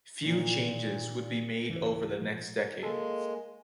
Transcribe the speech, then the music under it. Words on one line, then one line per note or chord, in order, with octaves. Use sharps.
Few changes would be made over the next decade.
A#2 D#3 E3 A#3
C#2 G#2 E3
A#2 F3 G#3
G#3 A#3 A4